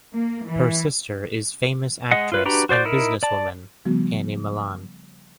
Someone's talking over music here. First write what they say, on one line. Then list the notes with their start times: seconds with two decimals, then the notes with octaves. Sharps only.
Her sister is famous actress and business woman, Annie Malan.
0.16 A#3
0.48 E3
2.11 G#3 D#5 F#5
2.32 F4 B4
2.45 D4 F#4 G4 B4 A#5
2.69 F#4 C5 D5 G6
2.85 D#4 E4 A#4
3.23 D5 A5
3.85 C#3 F3 G3 A3 B3 F#4